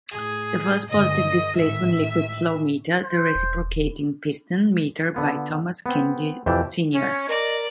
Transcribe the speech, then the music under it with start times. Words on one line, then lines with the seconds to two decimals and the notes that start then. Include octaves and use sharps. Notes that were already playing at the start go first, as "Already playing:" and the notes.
The first positive displacement liquid flowmeter, the reciprocating piston meter by Thomas Kennedy Snr.
0.11 A2 G#4
0.88 G2 D3 D#5
1.56 A1 G#2 D#3 E5
3.03 C5
3.35 E1
5.14 D3 B3 F4
5.86 B3 C4
6.46 F2 C3 E3 G4 G5 A5
6.92 C#4
7.29 A#4 D5 D#5